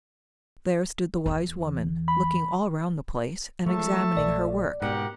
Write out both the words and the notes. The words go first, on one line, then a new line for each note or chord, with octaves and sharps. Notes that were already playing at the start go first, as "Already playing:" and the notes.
There stood the wise woman, looking all round the place, and examining her work.
E2 E3
B5
F3 G#3 A3 E5 A5 C#6
A#1 D5
G#2 B2 G4 A#4 F#5